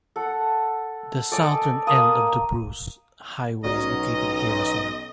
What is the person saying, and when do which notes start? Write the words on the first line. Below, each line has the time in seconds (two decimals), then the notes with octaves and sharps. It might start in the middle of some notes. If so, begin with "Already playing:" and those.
The southern end of the Bruce Highway is located here as well.
0.16 A4 F#5
1.31 A4 D5 D#5 G#5
1.87 A#3 D#6
3.64 B1 C#4 F#4 C#5 D#5 A#5